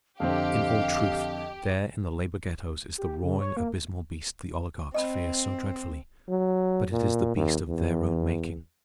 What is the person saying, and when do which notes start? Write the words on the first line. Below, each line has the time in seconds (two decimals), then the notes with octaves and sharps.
In all truth, there in the labor-ghettos is the roaring abysmal beast the oligarchs fear so dreadfully--but it is the beast of their own making.
0.20 F2 D3 C4 G4 D#5 F5
2.98 G4
3.23 C#3
3.41 C#5
3.57 A#3
4.94 C4 D#5 A5 B5
6.29 F#3
6.92 A#2
7.36 D#2
7.68 E2